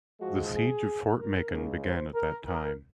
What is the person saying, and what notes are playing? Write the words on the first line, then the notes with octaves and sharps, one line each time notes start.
The siege of Fort Macon began at that time.
G#2 F3 G#3 F#4
G#4
A#4
C#2 C#3 G#3
C5
A#4
A#4